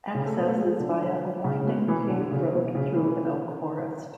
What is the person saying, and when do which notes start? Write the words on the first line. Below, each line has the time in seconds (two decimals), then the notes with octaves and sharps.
Access is via a winding paved road through an oak forest.
0.15 C#3
0.26 A3
0.37 B3
0.47 A3
0.58 G#3
0.80 D3
1.44 C#3
1.61 C#3
1.67 B2
1.88 E3
2.10 D3
2.31 C#3
2.54 B2
2.75 C#3
2.96 E3